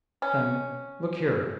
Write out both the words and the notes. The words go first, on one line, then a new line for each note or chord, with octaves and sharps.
Then, "Look here!"
C#4